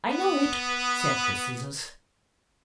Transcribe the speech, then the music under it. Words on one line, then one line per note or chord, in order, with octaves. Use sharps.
"I know it," said the scissors.
B3 B4